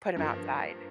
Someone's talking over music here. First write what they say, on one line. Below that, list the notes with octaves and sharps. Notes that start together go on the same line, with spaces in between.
put 'em outside.
G2 F3 A#3